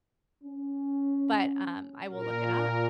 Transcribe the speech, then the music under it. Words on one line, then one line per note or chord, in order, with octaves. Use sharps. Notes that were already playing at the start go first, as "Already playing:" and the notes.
But, um, I will look it up.
C#4
A#2 A#4